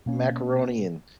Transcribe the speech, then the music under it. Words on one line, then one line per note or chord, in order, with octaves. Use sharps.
macaroni and
B2 A#3 C#4